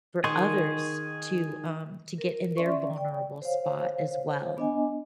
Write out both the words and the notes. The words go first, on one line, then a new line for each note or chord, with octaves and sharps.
for others to, um, to get in their vulnerable spot as well.
D#3 G#4 C6 C#6
A#4
C#4 D5 E5 C6 C#6
D5 G5
C5 C#5 F5
B3 D4 D#5 G#5